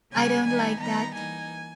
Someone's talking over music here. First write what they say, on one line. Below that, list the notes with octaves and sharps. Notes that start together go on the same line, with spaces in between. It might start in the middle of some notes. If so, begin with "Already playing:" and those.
I don't like that.
C#3 G3 A#3 C#4 G#5
D#3 G3 B3 D#4 G#5
D#3 G3 B3 D#4 A#5
E3 A#3 D#4 G#5